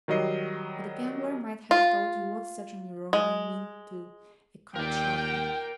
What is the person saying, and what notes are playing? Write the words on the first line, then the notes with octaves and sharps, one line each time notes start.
But a gambler might have told you what such a mirror may mean to a card-sharper.
D#3 F#3 G3 D#5 C7
F4
G#3
D#2 A#4 D5 G5